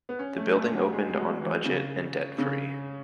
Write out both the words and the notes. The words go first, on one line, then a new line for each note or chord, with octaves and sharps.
The building opened on budget and debt free.
B3
C#4
A3
A3
F#3
G#3
G#3
F#3
E3
C#3
C#3